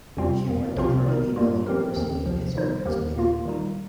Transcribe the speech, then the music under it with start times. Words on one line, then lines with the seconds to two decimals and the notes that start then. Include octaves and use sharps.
She went to Carnegie Mellon University in Pittsburgh, Pennsylvania.
0.17 F2 C3 G3 C4 F4
0.47 F2 D#3 A#3
0.76 C2 C3 F3 C4 F4
1.07 D#3 G3 D#4 A#4
1.36 G2 D#3 G3 A#3 F4
1.66 F3 C4 G4 A#4
1.96 D#2 D#3 C4
2.26 C2 C3 F3
2.55 D#3 G3 D#4 C5
2.86 D#2 D#3 A#3 G4 A#4
3.15 A#2 A#3 F4
3.45 D#3 G3 D#4